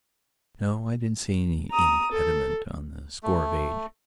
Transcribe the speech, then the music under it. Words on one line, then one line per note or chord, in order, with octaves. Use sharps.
No, I didn't see any impediment on the score of age.
A#5 D#6
A4
A3